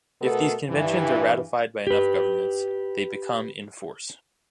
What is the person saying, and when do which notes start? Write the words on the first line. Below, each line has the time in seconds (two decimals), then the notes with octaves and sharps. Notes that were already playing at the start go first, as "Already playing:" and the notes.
If these conventions are ratified by enough governments, they become in force.
0.21 B2 A3 B3 A4 A#4
0.70 G2 E3
1.87 G4 B4